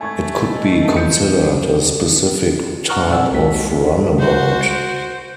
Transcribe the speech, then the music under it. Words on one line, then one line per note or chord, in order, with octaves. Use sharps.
It could be considered a specific type of runabout.
A3 G#5 C#6 G#6
D#5
G6 C#7
G3
F#5 A5 A#5 C#6 F6 F#6
A#2 C4 D5 F#5 G#5 E6
C2 G#3 A#3 F#4 B6
F#4 C5